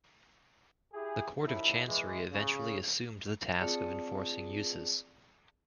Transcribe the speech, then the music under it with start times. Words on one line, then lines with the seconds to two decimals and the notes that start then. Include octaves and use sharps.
The Court of Chancery eventually assumed the task of enforcing uses.
0.93 E4 G4 G#4
1.44 A#1 D#2 A2 E4
1.86 E3 G#3
2.31 C#3
3.60 C4 F4 G#4 D5 A5 C#7